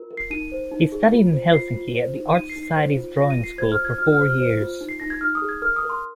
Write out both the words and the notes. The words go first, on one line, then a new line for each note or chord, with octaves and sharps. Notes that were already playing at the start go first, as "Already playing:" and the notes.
He studied in Helsinki at the Art Society's Drawing School for four years.
Already playing: F4 A#4
A#4
C7
D#4 D#7
C5
D#4
G#4
F4
C5
F4 C7
F4
C5
D#4
D#4 D#7
C7
D#4
C7
C5
F4
F4 A#6
D#7
F4
C7
C5 G#6
F6
F4
G#6
F4 F6
F6
C5
F6
C5
F4
D#4
C7
D#4 A#6
G#6
D#4 F6
D#6
G#4
G#6
A#4 F6
D#6
A#4
C6